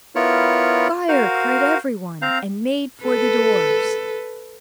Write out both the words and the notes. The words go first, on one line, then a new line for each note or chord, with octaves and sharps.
'Fire!' cried every one, and made for the doors.
B3 E4 F4 A#4 C#5
F#4 A#4 C5 F5
C4 C5 F5 A#5
A4 B4